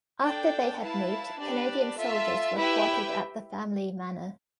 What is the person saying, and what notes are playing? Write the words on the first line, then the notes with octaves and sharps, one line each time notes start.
After they had moved, Canadian soldiers were quartered at the family manor.
D4 A4 D5 G5
E4 B4 F5 A5
D4 G4 B4 D5
F4 A4 E5 A5
E4 G4 B4 E5 G5